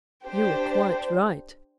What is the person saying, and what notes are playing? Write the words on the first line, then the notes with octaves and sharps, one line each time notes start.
'You are quite right.
D4 G4 C5